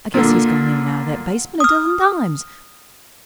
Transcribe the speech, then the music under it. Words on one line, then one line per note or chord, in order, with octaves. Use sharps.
I guess he's gone in and out of that basement a dozen times.
A#2 D3
D#6 F6